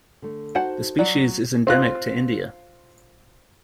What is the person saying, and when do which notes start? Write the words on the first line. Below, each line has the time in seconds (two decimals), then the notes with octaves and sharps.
The species is endemic to India.
0.22 D3 A3
0.55 D#4 F#4 C5 F#5 A5
0.99 F#3 D5
1.67 C4 F4 F#6